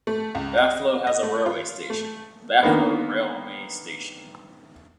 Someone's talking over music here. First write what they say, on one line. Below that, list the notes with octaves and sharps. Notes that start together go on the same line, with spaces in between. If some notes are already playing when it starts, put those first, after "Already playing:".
Baflo has a railway station - Baflo railway station.
A3
C#2
D#5
D#5
A3
F4
A3
D3 D#3 A#3 B3